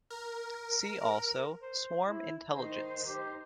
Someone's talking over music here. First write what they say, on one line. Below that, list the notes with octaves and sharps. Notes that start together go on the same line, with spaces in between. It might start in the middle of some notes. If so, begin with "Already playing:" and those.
See also swarm intelligence.
A#4
C5
E4
D#3 D#4 C5
G4